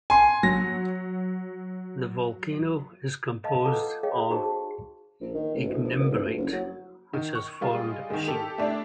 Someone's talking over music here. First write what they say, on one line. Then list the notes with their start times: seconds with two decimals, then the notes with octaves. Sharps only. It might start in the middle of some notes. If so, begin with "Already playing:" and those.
The volcano is composed of ignimbrite, which has formed a shield.
0.10 G#5 C6
0.43 F#3 A#6
3.44 D#5 F5 A5
3.66 F4 A4 B4 F#5 A#5 D6
4.03 G#4 A#4 C#5 D#5 F5 G5
4.30 D#4 F#4 G#4 C5 A5 C#6
5.21 A#1
5.34 D#3
5.54 A1
5.68 D2
5.83 A#1
5.99 E1
6.10 D#1
6.23 D2
6.38 F#1
6.52 F#3
7.13 D#3
7.35 C#6
7.61 G3 G#3 F4
8.10 D#3 G#3
8.28 G4 A4 F7
8.58 A3 D4 E4 D5